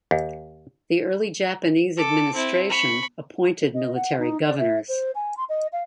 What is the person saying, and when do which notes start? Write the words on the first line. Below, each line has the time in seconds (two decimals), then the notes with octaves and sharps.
The early Japanese administration appointed military governors.
0.11 D#2
1.97 A4 D6
2.34 C4 E4
2.70 B5 C#6
3.74 D#5
3.95 F#5
4.18 D#4
4.45 D5
4.58 E5
4.88 C5
5.15 G#5
5.37 C6
5.49 D#5
5.72 F5